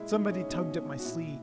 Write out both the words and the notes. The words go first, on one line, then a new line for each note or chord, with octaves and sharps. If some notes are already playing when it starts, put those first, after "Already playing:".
Somebody tugged at my sleeve.
Already playing: A#2 G#3 E4
D#4
G#3
C#4
B2 D#4
B2
F#4
A#2 E4